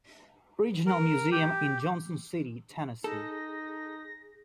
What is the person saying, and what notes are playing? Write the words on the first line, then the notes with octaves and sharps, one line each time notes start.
Regional Museum in Johnson City, Tennessee.
A#4
G4
D#4 G#4 A4 A#6